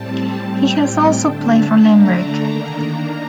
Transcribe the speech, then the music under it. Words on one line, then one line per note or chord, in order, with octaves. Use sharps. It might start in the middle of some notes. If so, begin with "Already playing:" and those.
He has also played for Limerick.
Already playing: A2 G3 C4 A5
A2 G3 C4 G5
D3 A3 D4 A5
D3 A3 D4 A#5
D#3 A#3 D4 A#5